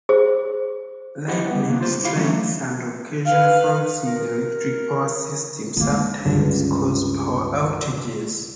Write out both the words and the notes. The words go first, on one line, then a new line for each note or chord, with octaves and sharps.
Lightning strikes and occasional faults in the electric power system sometimes cause power outages.
G#4 C5
E4 G4 B4 D#5 F#5
G3 B3
D3 A#3 B3
C#2 F4 C5
E4 G4 F5
E3 F#3 A3 A#3 C#4 E4
B4 F5
A#4
D3 G#3 A#3
C#2 G2 C#3